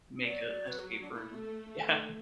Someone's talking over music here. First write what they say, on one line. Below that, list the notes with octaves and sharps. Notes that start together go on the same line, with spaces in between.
make a escape room, yeah.
F#3 D5
B4
F#4
F#4
D4
A3 E4
A4